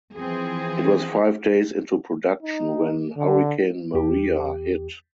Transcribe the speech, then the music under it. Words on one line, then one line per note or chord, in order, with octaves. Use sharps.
It was five days into production when Hurricane Maria hit.
E3 F3 C4 G#4
D#4
D3
E2 G4